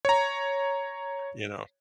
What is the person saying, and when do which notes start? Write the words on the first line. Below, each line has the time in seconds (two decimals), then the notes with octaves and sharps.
you know?
0.05 C#5 A#5